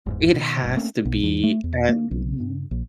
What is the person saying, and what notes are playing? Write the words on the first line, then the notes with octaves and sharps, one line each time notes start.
It has to be. And
G1 E2 G#2
B2 D3 D#3
G1 G2 A#2
A3 A#3 C4 C#4
B1
E2
A3
E2
A#3
B1
G2
A#1